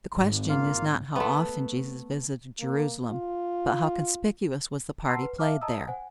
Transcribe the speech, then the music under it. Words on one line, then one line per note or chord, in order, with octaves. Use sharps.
The question is not how often Jesus visited Jerusalem, but how conspicuous was the part he played there.
G#1
A#3 F4 F5
A3 B3
A#3
F4
F#5 A5 A#5 C6 E6 C7
B4
E5 F5 A5 D6 F6
D#5 A5 A#5 D#6 E6
C5 F#5 G#5